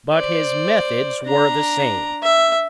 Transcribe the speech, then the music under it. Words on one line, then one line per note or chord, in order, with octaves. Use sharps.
But his methods were the same.
C5 D5
D4 A#5
E5